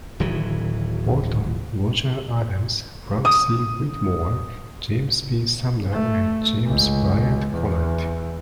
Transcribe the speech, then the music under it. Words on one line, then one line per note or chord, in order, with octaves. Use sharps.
Bolton, Roger Adams, Frank C. Whitmore, James B. Sumner and James Bryant Conant.
D1 D#3 E3 F#3
D#6
A3
C#2
E2